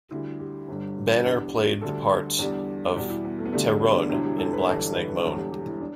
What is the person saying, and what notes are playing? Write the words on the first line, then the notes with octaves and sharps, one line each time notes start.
Banner played the part of Tehronne in "Black Snake Moan".
D2 D3 G3 E4
G4
G1 G2 D3 G3
E2 D3 G3
D2 D3 G3 A4
E2 D3 G3
E2 B2 G3 G4
E4
B3
A3
B3
D2 D3 G3 A3
G4
B3
D4
E1 D2 D3 G3 E4
G4
A4
B4
G1 G2 E3 G3 A4
B4
E1 E2 D3 G3 A4
G4
G4
E4
D4